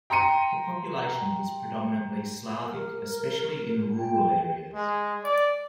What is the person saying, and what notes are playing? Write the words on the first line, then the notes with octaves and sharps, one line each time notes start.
The population was predominately Slavic, especially in rural areas.
G5 A#5 C6 C#7 D#7
A#4
G5
G#3
D5